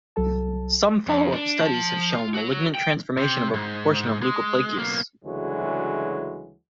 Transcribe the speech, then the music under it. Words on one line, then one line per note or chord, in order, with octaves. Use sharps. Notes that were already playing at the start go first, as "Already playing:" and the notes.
Some follow-up studies have shown malignant transformation of a proportion of leukoplakias.
C2 F#3 A4 A5
F2
D4
F3 A5
F4
F#4 C#5
G5
C3
G#2
G#3
B1 A#3
D2 C#3 E3 F#3 G#3